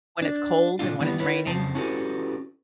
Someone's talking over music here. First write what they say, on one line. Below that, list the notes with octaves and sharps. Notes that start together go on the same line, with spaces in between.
When it's cold and when it's raining?
D4
A#2 D3 D4 F4
D#3 E3 G3 B3 E4
E4 B4 C#5
F2 C#3 C5 A5
C#4 E4 F#4 G4 A4 B4